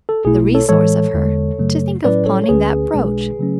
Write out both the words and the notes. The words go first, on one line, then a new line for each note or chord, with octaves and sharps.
The resource of her, to think of pawning that brooch!
A4
B1 B2 A3 E4 G#4
A4 C#5
A2 E3 G#3 A4 C#5
E2 D3 G#3
F#2 C#3 F#3 A3
A2 F#3 C#4 E4 B4 D5
A4 C#5
C#5
D2 D3 A3 C#4 G#4 B4
B1 B2 G#3 D4
C#3 F#3 A3 C#4